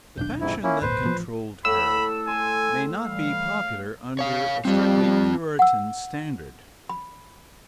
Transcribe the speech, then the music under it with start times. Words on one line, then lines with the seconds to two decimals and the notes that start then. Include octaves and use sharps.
The passion that controlled her may not be popular under a strictly Puritan standard.
0.17 D#1 B1 D4 G6
0.40 F2 G#2 E4
0.63 A#3 C#4 E4
0.82 D1 G#1 A#2 B4 C5
1.04 A1 F3
1.65 A2 E4 A4 F5 B5 E6
2.28 G#5 C6
3.06 E3 G3 F5
4.19 C#5 F5
4.65 G3 C4 F4
5.59 F#5 E6
6.89 B5